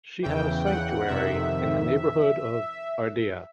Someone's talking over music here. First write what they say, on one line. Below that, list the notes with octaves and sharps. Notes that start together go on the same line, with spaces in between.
She had a sanctuary in the neighborhood of Ardea.
E2 C#3 E3 G5
F#5
F2 C3 D#3 E5